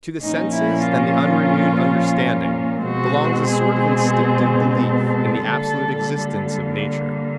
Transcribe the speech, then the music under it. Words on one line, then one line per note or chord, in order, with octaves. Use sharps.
To the senses and the unrenewed understanding, belongs a sort of instinctive belief in the absolute existence of nature.
A#2 F3 A#3 C#4 D#4
E4
F4
B2 G#3 C4 F#4
G#4
A4
D3 G3 A#3